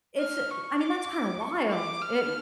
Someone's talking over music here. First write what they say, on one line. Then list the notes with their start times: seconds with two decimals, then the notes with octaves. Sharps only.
it's i I mean, that's kinda wild, i
0.20 F6
0.50 C#6
0.81 D6
1.41 C#6
1.72 D6
2.02 F6